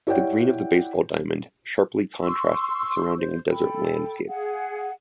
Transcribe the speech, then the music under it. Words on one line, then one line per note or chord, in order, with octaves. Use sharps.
The green of the baseball diamond sharply contrasts the surrounding desert landscape.
E4 G4 C#5 D5 F#5 G5
C6 C#6 E6
C5
A4 G5 B5
G#4 F5 F#5